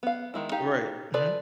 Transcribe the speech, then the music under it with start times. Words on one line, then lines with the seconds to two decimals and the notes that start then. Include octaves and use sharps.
Right, mhm.
0.03 B3 F5
0.34 D#3 G#3 E4
0.52 D#4 G4 F5
1.14 F4 G#4 A4 B4 D5